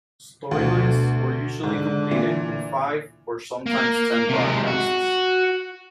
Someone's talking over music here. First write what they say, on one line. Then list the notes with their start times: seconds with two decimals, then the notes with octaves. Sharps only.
Storylines were usually completed in five, or sometimes ten broadcasts.
0.51 D2 B2
1.63 G#2 D3
2.11 A#2 E3
3.66 A#3
4.29 C3 G#3
4.67 F#4